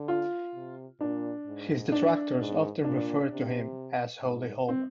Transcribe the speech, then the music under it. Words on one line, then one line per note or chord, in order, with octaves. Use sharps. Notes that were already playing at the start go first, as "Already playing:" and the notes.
His detractors often referred to him as Holy Homer.
Already playing: D3
F4
C3
A#2 D4
G#2
D4
G#2
A#2 D4
C3
G#2
C4